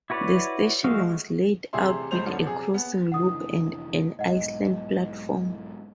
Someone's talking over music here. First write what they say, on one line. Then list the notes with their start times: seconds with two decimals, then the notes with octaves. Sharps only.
The station was laid out with a crossing loop and an island platform.
0.10 E4 F#4 B4 C#5 D5
0.84 F3 G#3 A3 F#4 F5
1.73 A1 C3 G#4 E5 C6
2.11 D#1 C#2 C5 F7
2.26 F#2 D3 F3 B3
2.45 C3 G#4
2.74 B3
3.12 F1 D3 E3 F#5 D#6
4.19 B1 G#2 D#5 F#5